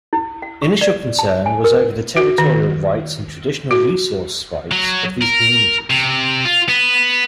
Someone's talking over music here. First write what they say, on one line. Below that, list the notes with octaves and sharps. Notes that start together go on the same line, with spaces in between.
Initial concern was over the territorial rights and traditional resource rights of these communities.
E4
F#5
C#6
D5
A5
G#5
A#4
F#4
D#3
F#4
F#3
A#4
C3
F4
B3